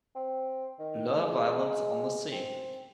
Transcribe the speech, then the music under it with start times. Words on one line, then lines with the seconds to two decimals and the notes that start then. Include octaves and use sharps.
Lot of Islands on the sea.
0.15 C4
0.79 D#3
1.15 G#3
2.31 C4